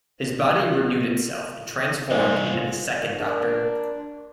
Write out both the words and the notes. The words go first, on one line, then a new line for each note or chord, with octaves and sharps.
His body renewed itself and transformed into the Second Doctor.
C2 G2 D#4 C5 D5 D#5 F#5 G#5
F4
D4 A#4